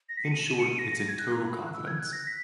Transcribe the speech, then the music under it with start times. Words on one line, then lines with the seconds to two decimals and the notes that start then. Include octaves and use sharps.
In short, it's in total confidence.
0.09 A#6
0.17 B6
0.24 C#7
0.32 D#7
0.38 E7
0.49 D#7
0.59 C#7
0.68 D#7
0.78 A#6
0.92 A#6
1.09 G#6
1.19 F#6
1.33 A#5
1.46 B5
1.66 F#6
1.73 E6
1.86 G#6
1.99 F#6
2.12 A#6
2.27 B6